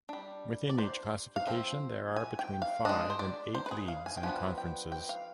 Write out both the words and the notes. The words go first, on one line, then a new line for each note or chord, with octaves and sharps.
Within each classification, there are between five and eight leagues and conferences.
G3 D4
D5
C5
F5
F3 C4
G#5
G5
F5
G#3 D4 D#5
C5
D5
C5
B4
G#4
F5
G#5
G5
F3 B3 D4 G#5
G5
G5
F5